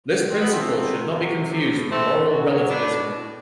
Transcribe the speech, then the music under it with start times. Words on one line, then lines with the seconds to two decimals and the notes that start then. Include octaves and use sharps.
This principle should not be confused with moral relativism.
0.09 B2
0.29 B2 C4
0.40 B3
0.48 B2 A3 C4
0.69 F#3
0.89 C3
1.09 F#3
1.29 C3
1.49 A2
1.69 A2
1.89 E3 A3 C4
2.09 E3
2.30 F#3
2.50 F#3
2.69 F#3 B3 D4
2.90 B2
3.10 A2